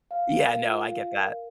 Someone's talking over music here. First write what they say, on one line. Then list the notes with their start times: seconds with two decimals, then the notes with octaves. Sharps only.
Yeah, no, I get that.
0.11 F5
0.36 A#4
0.61 F4
0.88 F5
1.13 A#4